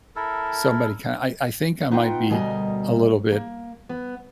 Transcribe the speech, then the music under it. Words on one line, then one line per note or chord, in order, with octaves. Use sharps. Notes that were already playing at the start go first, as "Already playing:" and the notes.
somebody, kin I I think I might be a little bit
E4 A4 A#4
B3 D#4 F4 F#5 G5
D2 B2 G3 A#4 D#5 G#5
A#3
B3